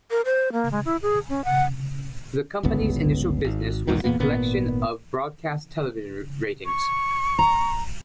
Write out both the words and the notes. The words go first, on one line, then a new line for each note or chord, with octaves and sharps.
The company's initial business was the collection of broadcast television ratings.
A#4
C5
A#3
G#3
E4
G#4
C#4
F#5
D1 G1 C#2 B3
G#1
B1 E2 G#2 D#3
E2 A#2 A#3 B3
G#1 A#2 B3
C#6
A#5